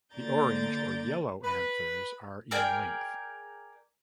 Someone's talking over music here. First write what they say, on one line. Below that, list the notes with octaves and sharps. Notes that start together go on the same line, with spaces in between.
The orange or yellow anthers are in length.
D3 A#3 D5 A#5 G6 A6
B4
G#4 A#4 D5 G5